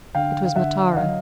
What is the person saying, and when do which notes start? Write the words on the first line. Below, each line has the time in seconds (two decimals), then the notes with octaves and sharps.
It was Matara.
0.15 D3 F5 G5
0.45 F5
0.55 D3 E5 F#5
0.93 F#5
0.97 F#3 D#5 F5